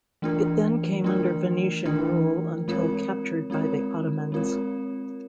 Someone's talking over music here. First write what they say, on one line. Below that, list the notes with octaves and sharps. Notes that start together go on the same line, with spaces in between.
It then came under Venetian rule until captured by the Ottomans.
E3 A3 D4 F4 A#4
E3 A3 D4 F4 A#4
E3 A3 D4 F4 A#4
G#3 C4 F4 A#4 C#5
G#3 C4 F4 A#4 C#5
G#3 C4 F4 A#4 C#5